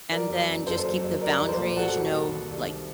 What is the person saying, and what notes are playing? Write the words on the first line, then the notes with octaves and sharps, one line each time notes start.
And then, just keep the boundaries, you know, like,
F#3 A#4 D5
F#1
F#2
F#1 A4 C5
F#3
F#1
G3 A#4 D5
C2 D5
A4 C5
A#2
C2 F#4 A4
G3
C2
D#3
C2
C3